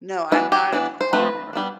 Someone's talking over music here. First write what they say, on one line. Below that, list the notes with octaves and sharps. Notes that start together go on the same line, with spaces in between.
No, I'm not a performer.
E3 B3 D4 E4
G4
E3 B3 D4
C5
F3 A3 C4 B4
G3 B3 D4